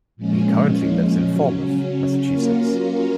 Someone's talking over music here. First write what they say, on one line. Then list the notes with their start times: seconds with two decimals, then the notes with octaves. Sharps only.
He currently lives in Falmouth, Massachusetts.
0.17 A#2 F3 G#3 C#4
1.21 C#3 F#3 C#4
2.28 F#3 A#3 C#4 F4 A#4